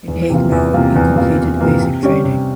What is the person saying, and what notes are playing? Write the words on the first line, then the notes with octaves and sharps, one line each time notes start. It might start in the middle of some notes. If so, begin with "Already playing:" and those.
In Haguenau he completed basic training.
E2
C3 E3 A#3 F4
E2
C3 E3 A#3 F4
E2
C3 E3 A#3 F4
E2
C3 E3 A#3 F4
C3
G3 C#4 G4 C#5
C3